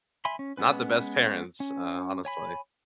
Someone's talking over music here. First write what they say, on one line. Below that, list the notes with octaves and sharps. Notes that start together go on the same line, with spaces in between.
not the best parents, uh, honestly."
E5 G#5 B5 C6
C#4
G#3 B3 C#4 B4
C#4
C#5 G#5 B5